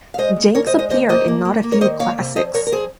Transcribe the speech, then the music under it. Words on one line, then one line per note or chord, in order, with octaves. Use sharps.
Jenks appeared in not a few classics.
F5
G#3 C5 D#5
D#2
D#2 A#4 C#5
C5 D#5
G#3
C5 D#5
D#2 C5 D#5
A#3 C5 D#5
A#3
A#3
A#3
A#4 C#5
D#3 C5 D#5
A#3 C#5 F5
C3
F2 C5 D#5
F2 A#4 C#5
A#4
F2 G#4 C5